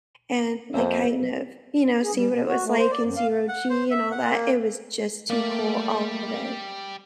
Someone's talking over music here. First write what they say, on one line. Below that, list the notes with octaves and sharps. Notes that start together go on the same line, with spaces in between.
and, like, kind of, you know, see what it was like in zero G and all that. It was just too cool. All of it.
F2 A#3 C5 E5
G#4
G3
B2
F#4
A3
C5
D5
F#2
F5
F#5
C5
E5
F#5
A#3
G3 A3 A#3 D5